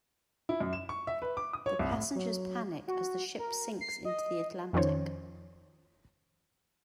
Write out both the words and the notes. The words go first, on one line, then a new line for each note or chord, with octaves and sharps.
The passengers panic as the ship sinks into the Atlantic.
E4
F#2
E7
C#6
E5
B4
D6
D#6
C#5
C2
A2
F#3
F#4
A#4
C7
D#5
F2 D#3 F3 C#4 C5 C#5